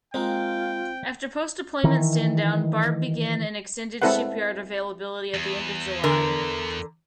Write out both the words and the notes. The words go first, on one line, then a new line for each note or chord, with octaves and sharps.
After post-deployment standdown, "Barb" began an extended shipyard availability at the end of July.
G#3 A#3 C4 F4 G5
D#3 E3
G#3 C4 E4 A4 B4 F#5
E2
D3 A#4